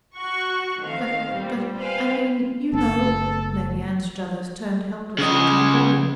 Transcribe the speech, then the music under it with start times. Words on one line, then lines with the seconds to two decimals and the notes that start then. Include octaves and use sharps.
"But--but--I mean--you know----" Lady Anstruthers turned helplessly to the boy.
0.15 F#4 C#6 F#6
0.82 D#3 A3 C4 F5
1.32 A#2 G3 C4
1.77 B4 C5 F5 G5 G#5
2.73 F#1 A3 B3 A4
5.18 C#3 D#5